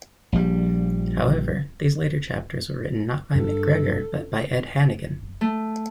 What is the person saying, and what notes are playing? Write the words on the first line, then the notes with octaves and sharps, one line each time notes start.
However, these later chapters were written not by McGregor but by Ed Hannigan.
A#1 G3
G2 A4
A3